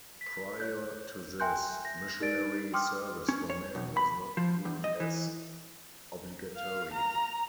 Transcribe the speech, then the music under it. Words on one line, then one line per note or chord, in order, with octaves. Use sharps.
Prior to this, missionary service for men was not viewed as obligatory.
B6
C#5 F#6 G6
E5 G5 G#5 C6 F#6 G6
A#6
D#4 G4 A#4 D5 A6 D7
G5 C6 D6 D#6 F6
C#4
C#5
B1
B5
F3
E2
D#5
E3
F5
A#5